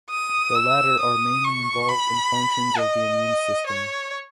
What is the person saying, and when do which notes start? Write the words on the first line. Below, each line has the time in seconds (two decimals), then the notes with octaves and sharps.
The latter are mainly involved in functions of the immune system.
0.11 D#6
0.55 E6
1.00 D#6
1.44 C#6
1.89 B5
2.78 D#5
3.67 C#5